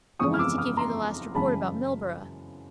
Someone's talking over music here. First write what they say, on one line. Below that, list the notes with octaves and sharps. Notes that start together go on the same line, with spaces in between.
"I wanted to give you the last report about Milburgh."
F2 C#3 E3 G#3 C#6 D#6
F6
D6 E6
D#6 F6
A#5 C6
F#2 C#3 E3 G#3 A5 B5